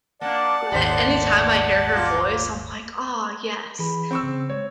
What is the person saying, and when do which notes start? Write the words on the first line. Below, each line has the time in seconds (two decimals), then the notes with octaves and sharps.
but anytime I hear her voice I'm like, "Ah yes,
0.21 A#3 D4 D5 F#5 A5
0.72 D#1 G#1 D#2 A2 D#4 C5
1.92 A#3 F4
3.79 E3 G#4 B5
4.11 C4 C#6 E6
4.23 C#3
4.50 G#3 C#5